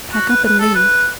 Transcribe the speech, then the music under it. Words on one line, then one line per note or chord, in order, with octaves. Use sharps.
Pack up and leave.
F#4
B4
B4
A4
B4